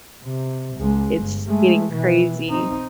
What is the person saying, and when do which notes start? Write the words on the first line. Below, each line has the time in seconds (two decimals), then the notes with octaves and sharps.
it's getting crazy.
0.24 C3
0.77 C#2 G#3
1.17 G1
1.48 G#3 A3
1.93 B2 E3
2.48 C4 D#4